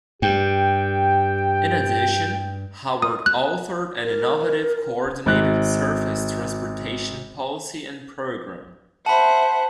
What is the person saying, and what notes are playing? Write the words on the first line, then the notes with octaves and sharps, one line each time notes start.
In addition, Howard authored an innovative coordinated surface transportation policy and program.
G2 G4 G5
D#6
F#6
A#4
G#1 F#6
C5 E5 F#5 A5 B5